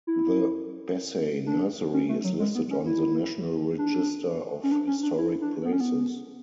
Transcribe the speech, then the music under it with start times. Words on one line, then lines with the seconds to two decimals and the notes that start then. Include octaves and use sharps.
The Bessey Nursery is listed on the National Register of Historic Places.
0.07 E4
1.46 D4
1.93 C#4
2.09 A3
2.24 F#3
2.40 G#3
2.55 B3
2.71 C#4
2.86 E4
3.78 D4
4.63 C#4
4.72 D4
4.87 C#4
5.03 D4
5.18 E4
5.41 D4
5.65 B3
5.73 C#4
5.80 B3